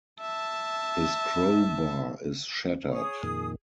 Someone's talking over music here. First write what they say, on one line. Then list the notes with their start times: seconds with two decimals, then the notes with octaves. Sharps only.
His crowbar is shattered.
0.21 E5 A5
2.92 G#4 C#5 D#6
3.23 F2 A#2 D#3